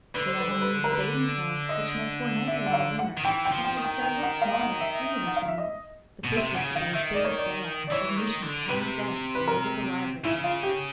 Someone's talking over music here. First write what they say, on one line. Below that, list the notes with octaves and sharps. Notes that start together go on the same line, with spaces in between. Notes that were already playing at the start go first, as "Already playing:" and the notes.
The Avonlea Debating Club, which met fortnightly all winter, had had several smaller free entertainments; but this was to be a big affair, admission ten cents, in aid of the library.
D3 B4
C5
B4
C5
B4
A#4
B4
D#5
E5
F#5
F5
F#5
D#3
E3 G5
G5
F3
G5
D#3
G5
G5
F#5
F5
F5
F#5
E5
F#5
F5
E5
D#5
B2
C3 E5
C#3 F#5
D#3 F5
D#3 E5
D5
C#5
D5
D5
E3 C#5
D#3
D3
C3 B4
B4
A#4
C#3 E4
F4
G4